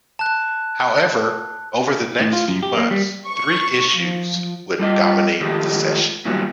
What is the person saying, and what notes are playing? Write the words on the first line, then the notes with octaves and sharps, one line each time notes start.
However over the next few months three issues would dominate the session.
A5 F#6
A2
F4
F#2
G4
A#3
G3
C#6
F3
G3 F4 D#5
D#3 F3 G#3 A3 G4
A#2 D#3 F#3 G3 B3